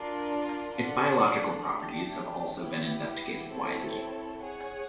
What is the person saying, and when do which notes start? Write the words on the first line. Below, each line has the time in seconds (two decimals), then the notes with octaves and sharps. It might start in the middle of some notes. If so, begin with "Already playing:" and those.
Its biological properties have also been investigated widely.
Already playing: D4 F4 A#4
0.76 D4 F4 A4 D5 F#5
1.67 A3 D4 G4
2.58 B3 E4 G4
3.49 C4 E4 A4 C#5
4.39 G#4 C#5 F#5